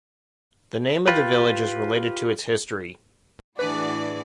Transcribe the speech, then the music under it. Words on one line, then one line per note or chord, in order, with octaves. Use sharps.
The name of the village is related to its history.
F4 G4 B4
A2 E3 D4 F#4 G#4 B4 D5